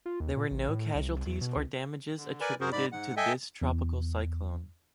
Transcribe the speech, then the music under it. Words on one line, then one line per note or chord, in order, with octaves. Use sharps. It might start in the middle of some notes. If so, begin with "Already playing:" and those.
There were no casualties or damages attributed to this tropical cyclone.
F4
D#2
A#2
A1
A2
C2
E2
B2
C#2
D3
A#4 B4 D5 G#5 B5
F#2 F#4 G#4 A#4 C5
G#2 D5 B5
G#2 F#5
A4 D#5 E5 G5 G#5
E2